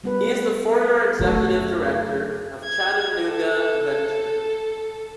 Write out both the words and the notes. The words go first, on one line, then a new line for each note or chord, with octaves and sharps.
He is the former executive director of Chattanooga Venture.
G3 B3 B4
F#2 D3 A3 F#4 A4
G#6
A4